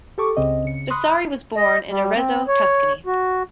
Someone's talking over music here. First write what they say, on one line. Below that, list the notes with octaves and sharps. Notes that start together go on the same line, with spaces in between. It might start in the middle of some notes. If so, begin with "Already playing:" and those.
Vasari was born in Arezzo, Tuscany.
G4 A4 C#6 D6
C#2 C#3 C4 D#5
C#3 C#7
B5 C6 D#6 F#6
D#5
G3
C4
C#5
F#4